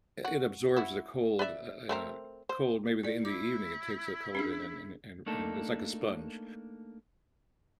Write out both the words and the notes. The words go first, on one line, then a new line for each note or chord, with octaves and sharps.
it it absorbs the cold uh uh uh, cold maybe in the in the evening, it takes the cold in and and and and it's like a sponge.
F#4
E4 F#4
B4 D5 E5
A3 C4 A#4
C5
E4 D5
E4 D6
C#4 D4 G#4
A3 A#3 D4 D#4 A4